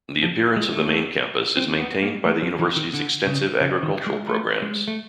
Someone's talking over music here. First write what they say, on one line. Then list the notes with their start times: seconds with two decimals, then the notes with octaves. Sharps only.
The appearance of the main campus is maintained by the university's extensive agricultural programs.
0.23 F3
0.56 G#3
0.73 A3
1.57 C4
1.79 B3
2.02 A#3
2.25 A3
2.42 F3
2.59 E3
2.76 D#3
2.94 D3
3.27 C#3
3.60 C#3
3.83 D#3
4.06 G#3
4.29 A3
4.62 G#3
4.88 A3